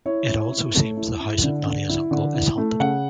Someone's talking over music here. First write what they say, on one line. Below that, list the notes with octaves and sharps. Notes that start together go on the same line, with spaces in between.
It also seems the house of Nadia's uncle is haunted.
E4 C#5
E4
E4
A3
E4
E4
D3
D3
E4
D3
E4
A3
C#3 F#5